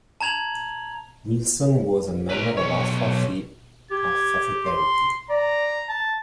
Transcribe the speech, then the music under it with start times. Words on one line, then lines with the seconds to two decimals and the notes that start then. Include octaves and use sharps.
Wilson was a member of Alpha Phi Alpha fraternity.
0.21 A5 A#5 G#6 F7 F#7
2.30 B4 A#5
2.57 B1 C#5
3.91 G4 G#6
4.65 C6
5.30 D5 A#5
5.89 A5